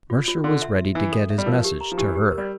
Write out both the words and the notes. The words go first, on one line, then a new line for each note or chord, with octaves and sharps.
Mercer was ready to get his message to her.
F4
F4
D3 C6
E5
E5
E3 E5
A4
E5
G3
F3 A#4
G4
A#5
F3
E3 G4
G4
A#4
G3